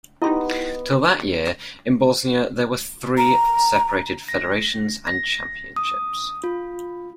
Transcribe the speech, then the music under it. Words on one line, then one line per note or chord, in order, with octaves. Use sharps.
Till that year, in Bosnia there were three separated federations and championships.
B3 D#4 E4 G4 D#5 C6
A#5
A#6
A#6
D#6
F4